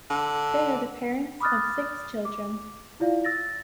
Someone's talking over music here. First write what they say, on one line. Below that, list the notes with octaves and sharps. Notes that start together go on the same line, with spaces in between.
They are the parents of six children.
D3
B5 D6 D#6 F6 F#6 A6
D6
E4 F4 D5 F5
E6 A6 A#6